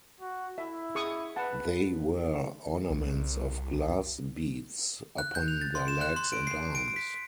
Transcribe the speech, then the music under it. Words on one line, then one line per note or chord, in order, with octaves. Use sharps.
They wear ornaments of glass beads upon their legs and arms.
F#4
E4 E5
G#4 C#6 D#6
B4 F#5 A5
C2
F#6
G6
F7
A6
C6
E7
F#6
C6
D7
C7
D7
B6